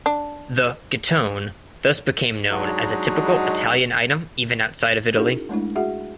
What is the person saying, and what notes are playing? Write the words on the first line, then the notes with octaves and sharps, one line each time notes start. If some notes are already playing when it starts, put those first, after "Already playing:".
The "gettone" thus became known as a typical Italian item even outside of Italy.
D4
F#3 G#3 D4 D#4 F#4
C#4 D#4 E4 F#4 G#4 A#4
G#3 A3 D4 E4
F#4 G#4 E5 F#5